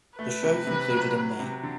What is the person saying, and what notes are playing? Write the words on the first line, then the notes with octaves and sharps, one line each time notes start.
The show concluded in May.
A3 B4
C3
C3
F#3
F#3
C3
D3